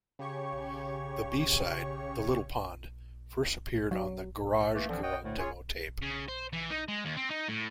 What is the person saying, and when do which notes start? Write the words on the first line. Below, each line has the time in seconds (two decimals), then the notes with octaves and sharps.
The B-side, "The Little Pond" first appeared on the "Garage Girl" demo-tape.
0.19 C#3 G4 C#5 C#6
3.91 F#3
4.74 E3 A3 A#3
4.88 D3 E3 F3 C4
5.03 C#5 D#5 F#5 G5 D#6
5.24 D2 A2 D3 A3
5.38 C#4 F4 G#4 C#5 G#5
6.02 C#3
6.28 C5
6.53 E3
6.70 D#4
6.88 G#3
7.05 D#2
7.17 C4
7.30 D#4
7.48 A2